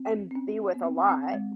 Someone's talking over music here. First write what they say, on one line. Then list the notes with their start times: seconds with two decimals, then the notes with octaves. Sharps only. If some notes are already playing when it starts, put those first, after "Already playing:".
and be with a lot.
Already playing: C4
0.31 C4
0.35 C#4
0.74 B3
0.85 C4
1.09 C4
1.33 G#3